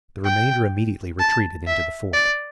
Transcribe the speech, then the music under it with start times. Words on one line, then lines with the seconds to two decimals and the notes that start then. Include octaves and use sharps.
The remainder immediately retreated into the fort.
0.25 G5
1.19 A5
1.67 E5
2.13 D5